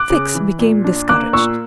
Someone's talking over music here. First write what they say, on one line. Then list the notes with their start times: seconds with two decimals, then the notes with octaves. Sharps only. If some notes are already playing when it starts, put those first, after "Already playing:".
Fix became discouraged.
Already playing: D6 F#6
0.10 C#3
0.35 E3
0.59 A#2
0.84 D4
1.09 A#3 D6 F#6
1.33 A#2 C#6 E6